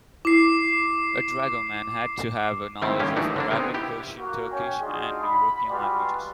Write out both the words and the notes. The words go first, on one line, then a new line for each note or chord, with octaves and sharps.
A dragoman had to have a knowledge of Arabic, Persian, Turkish, and European languages.
E4 D6 C7
D#3 G3 A3 C4 E4
D3 D#3 G3 A#3 C#4 G4
E3 A3 D4 D#4 F#4 D5
D3 A#3 D4
B3 C4 D#4 G#4 A#4
E4 G4
A#3 F#4
C#4 C#5 G5
D4 D#4 F4 F#4 G#4
B5
G3 G#3 F4 F#4 B4 D5